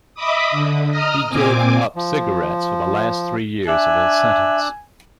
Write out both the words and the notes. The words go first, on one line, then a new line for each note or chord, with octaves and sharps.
He gave up cigarettes for the last three years of his sentence.
D#5 E5 B5 D6 D#6
D3
D#5 A#5 D#6 F6
A#2 C4 G#5 D6
F3
D4 E5 G#5 E6 F#6